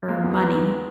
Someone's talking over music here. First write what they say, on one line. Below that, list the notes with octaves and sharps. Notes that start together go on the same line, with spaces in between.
or money,
G#3 A#3
E2 B3
E2
D#3
G#3